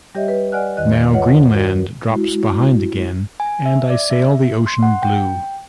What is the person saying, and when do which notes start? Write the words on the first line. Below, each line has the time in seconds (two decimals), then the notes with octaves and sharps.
Now Greenland drops behind again, and I sail the ocean Blue.
0.15 G3 G4 C#5 D#5 E5
0.28 B4
0.52 D5 D#5 F#5 G#5 F6 F#6
0.77 E2 D#3 D#5 F#6
1.13 F4 B4 C#5 D#5 F#5
1.54 F#4 A#4
2.09 G#3 E4 F#4
3.40 G#5
3.66 E5
3.90 D5
4.11 E5
4.66 C6
4.83 F#5
5.02 G5